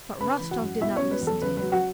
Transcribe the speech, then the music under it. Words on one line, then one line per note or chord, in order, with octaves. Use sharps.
But Rostov did not listen to him.
C#3 B4 B5
E3
F#4 F#5
F#2
B2 E4 E5
C#4 C#5
F#3
B4
E2
A4
C#3 B4
B4
F#3
F#4 F#5